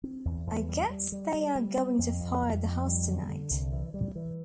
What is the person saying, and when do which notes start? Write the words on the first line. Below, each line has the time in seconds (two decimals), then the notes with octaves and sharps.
I guess they are going to fire the house tonight.
0.04 C4
0.25 E2
0.47 E2
0.69 G3
0.90 G3
1.12 G3
1.34 G3
1.55 G3
1.77 C4
1.99 F2
2.21 F2
2.43 F2
2.64 F2
2.85 G3
3.07 D3
3.29 D3
3.50 C2
3.72 E3
3.94 G3
4.15 E3